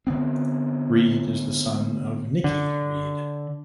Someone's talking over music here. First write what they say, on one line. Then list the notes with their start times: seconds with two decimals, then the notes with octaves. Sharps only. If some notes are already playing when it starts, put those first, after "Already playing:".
Reed is the son of Nikki Reed.
0.07 D3 B3 C4
2.44 D3